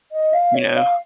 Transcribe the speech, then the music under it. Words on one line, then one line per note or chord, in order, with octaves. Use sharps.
You know?
D#5
F5
C#5
F5